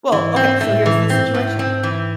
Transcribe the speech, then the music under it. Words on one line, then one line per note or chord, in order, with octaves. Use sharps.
Well, okay, so here's the situation,
G#2 E3
C4
A2 A3
E3
G#2 C4
A2
C4
E3